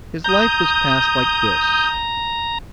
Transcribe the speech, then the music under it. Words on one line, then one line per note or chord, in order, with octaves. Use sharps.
His life was passed like this.
A#5 D#6 G6